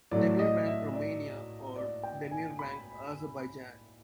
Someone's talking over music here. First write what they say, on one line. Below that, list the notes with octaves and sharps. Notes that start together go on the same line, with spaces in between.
Demirbank Romania or Demirbank Azerbaijan.
A2 F#3 A3 D5
D#5
E5
D5
D5
G5
G#5
B5